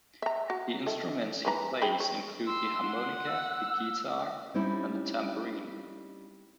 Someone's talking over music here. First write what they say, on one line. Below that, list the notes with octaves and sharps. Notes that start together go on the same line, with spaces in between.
The instruments he plays include the harmonica, the guitar and the tambourine.
E5 A#5
F#4
D#3 E4 A4
E3 B4 A#5
G#4 G5 B5
C#5
C6 E6
F#5
E6
G3 C4 C#4 D#4 E4